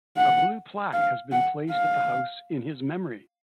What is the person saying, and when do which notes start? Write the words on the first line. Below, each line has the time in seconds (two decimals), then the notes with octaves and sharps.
A blue plaque has been placed at the house in his memory.
0.17 F#5
0.93 F5
1.32 F#5
1.70 F5